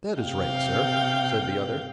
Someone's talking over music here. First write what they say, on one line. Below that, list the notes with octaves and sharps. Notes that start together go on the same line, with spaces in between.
"That is right, sir," said the other.
C3 F5 G5 G6